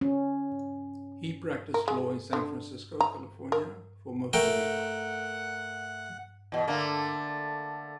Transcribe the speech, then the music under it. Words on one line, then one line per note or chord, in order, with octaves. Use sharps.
He practiced law in San Francisco, California for most of his life.
C#4
A#4
G#3
D3
A#5
A#4
A3 A#4 F#5 G5
E2 B2
D3 A3 A#3